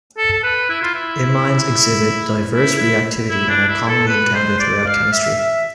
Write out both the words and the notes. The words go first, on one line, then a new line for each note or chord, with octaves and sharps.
Imines exhibit diverse reactivity and are commonly encountered throughout chemistry.
A4
A4
B4
E4
F4
E4
E4
E4
E4
D4
E4
A4
B4
C5
D5
F5
E5
E5